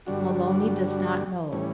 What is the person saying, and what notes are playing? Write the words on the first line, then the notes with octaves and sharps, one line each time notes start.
Maloney does not know.
G2 D3 G3 D4 F#4
A2 E3 G3 C#4